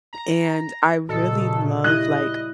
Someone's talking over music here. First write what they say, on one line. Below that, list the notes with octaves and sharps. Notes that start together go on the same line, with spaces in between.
and I really love, like,
A#5
A#2 C#3 F#4 A4 D#5
G3 E4 D#5 F#6